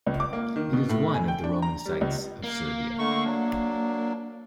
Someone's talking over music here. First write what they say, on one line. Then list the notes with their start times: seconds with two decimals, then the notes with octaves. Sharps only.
It is one of the Roman sites of Serbia.
0.07 C#2
0.20 D6
0.33 A#3
0.56 D#3
0.73 B2
0.90 A2
1.14 G#5
1.28 G5
1.44 D4
1.62 A#5
1.86 G3
2.01 C#2
2.43 A#3
2.99 D3 A3 C#6
3.25 F#3 D4